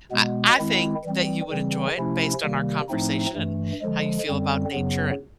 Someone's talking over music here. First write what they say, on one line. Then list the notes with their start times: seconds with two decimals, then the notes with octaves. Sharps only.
I I think that you would enjoy it based on our conversation and how you feel about nature and
0.12 B2 G#3 B3
0.58 D#3 G#3 C4 E4
1.04 E3 G3 C4
1.50 C#3 E3 G3 C4
1.97 C3 F3 A3 C#4 E4
2.42 C3 D#3 G3 A#3
2.89 A2 F3 A3 C4 D#4
3.35 G2 E3 A3
3.81 D3 F3 G#3
4.28 F#2 D3 G3 C4
4.74 F#2 C#3 F#3 B3